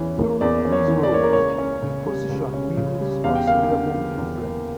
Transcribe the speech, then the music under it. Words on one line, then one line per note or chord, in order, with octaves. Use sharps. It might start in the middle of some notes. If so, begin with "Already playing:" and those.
Through these roles the position wields considerable influence.
Already playing: E2 E3 C#4
A#3
E2 D5
C#4
C#5
E3
D5
A#3 C#5
A#4
C#2 C#5
C#4
C#3
G3
C#2
C#4
C#3
G3
E2 F5
G5
A#3 F5
D3
F3
E2
A#3